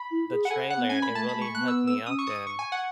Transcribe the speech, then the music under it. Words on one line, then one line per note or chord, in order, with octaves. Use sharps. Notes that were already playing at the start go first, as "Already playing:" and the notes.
the trailer, it really hooked me up, and
Already playing: B5
E4
G#4
F#5
A4 G#5
F#5
B3
C#4 G#5
B5
A3
A5
A3 B5
G#3
C#6
A3
B3 F#6
E6
E6
C#4 D#6
C#6
D#6
C#6
G#5
F#5